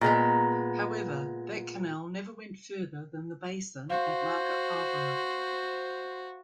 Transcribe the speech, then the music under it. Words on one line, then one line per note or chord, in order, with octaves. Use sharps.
However, that canal never went further than the basin at Market Harborough.
A#2 G#3 B3 A#5
F#4 C5 F5